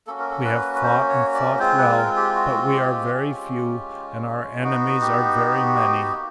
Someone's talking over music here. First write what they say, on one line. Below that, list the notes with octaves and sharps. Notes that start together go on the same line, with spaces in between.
We have fought and fought well, but we are very few, and our enemies are very many.
A#3 C#4 F#4 A4
A#4
A4
B4
B4
C5
C#5
D5
G#3 C4 F4 C5
B4
A#4
G4
F#4
G4
G#3 C#4 F4
B3 D#4 F#4
G4
A#3